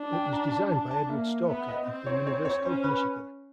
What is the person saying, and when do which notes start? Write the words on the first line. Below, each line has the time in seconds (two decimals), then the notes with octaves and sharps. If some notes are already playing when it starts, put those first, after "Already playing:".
It was designed by Edward Stalker of the University of Michigan.
Already playing: D4
0.13 G5
0.33 A#5
0.52 A5
0.71 D4 A5
0.91 A5
1.09 A#3 E5
1.48 B3 E5
1.69 D#5
1.87 C4
2.06 C#5
2.27 C#5
2.45 C#5
2.65 C#4 C5
2.84 B4